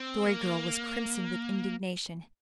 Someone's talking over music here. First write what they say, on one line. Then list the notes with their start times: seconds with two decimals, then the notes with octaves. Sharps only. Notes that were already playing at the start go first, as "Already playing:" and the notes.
The Story Girl was crimson with indignation.
Already playing: C4
0.26 A#3